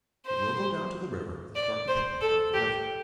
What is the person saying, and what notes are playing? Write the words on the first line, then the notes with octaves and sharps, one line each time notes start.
But we'll go down to the river and start the picnic right away.
C5
D5
C5
A4
G4